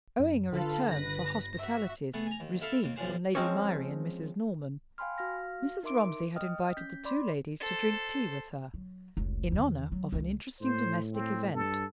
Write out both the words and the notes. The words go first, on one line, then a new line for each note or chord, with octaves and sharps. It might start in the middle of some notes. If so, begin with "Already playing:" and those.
Owing a return for hospitalities received from Lady Myrie and Mrs. Norman, Mrs. Romsey had invited the two ladies to drink tea with her in honor of an interesting domestic event.
F#2
D3 F4 A4 B4 F5
G1 B4 A#6
F#4 E5
A3 B3 G#4
G#5 A#5
D#2
E4 A4 E5 F5
D#2 A#3
B1 F#2 F3 F4 G#4 C5
F3 G#3 C4 C#4 C#5
F5 G5 G#5 B5 C6 F6
F#4 F5 F6 A#6
D#4 A#4 E5 C6 D6 D7
D#5 G5 D#6 F6
C#4 G6 B6
D5 B5 C6 D6
A4 C5
F#3
F1 C#2
E2 D#3
F#3
C#2 G#3
A2 C5
C4
G2 A4